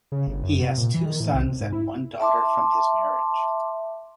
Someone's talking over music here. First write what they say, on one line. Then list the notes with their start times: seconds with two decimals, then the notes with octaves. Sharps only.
He has two sons and one daughter from this marriage.
0.12 C#3
0.27 G1
0.44 F#2
0.62 C3
0.78 A#2
0.94 E3
1.05 D#3
1.20 A2
1.35 C2
1.47 C3
1.60 G#2
1.73 E4
2.20 E5 A5 C6 D6